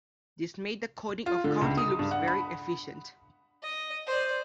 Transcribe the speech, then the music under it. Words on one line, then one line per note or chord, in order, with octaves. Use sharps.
This made the coding of counting loops very efficient.
F4
D3
C#2
D#6
G2
F#5
B5
D#5
C5 D5